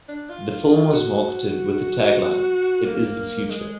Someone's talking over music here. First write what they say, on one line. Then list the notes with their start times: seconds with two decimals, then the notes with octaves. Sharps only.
The film was marketed with the tagline It is the future.
0.09 D4
0.29 F4
0.93 F#4
2.85 A#3
3.50 G#3